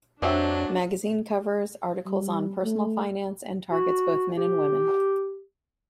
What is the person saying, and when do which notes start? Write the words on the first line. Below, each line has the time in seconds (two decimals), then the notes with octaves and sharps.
The magazine covers articles on personal finance and targets both men and women.
0.22 F2 F#3 D4 G4 C5 E5
2.06 G3
2.64 A3
3.72 F#4
4.37 G4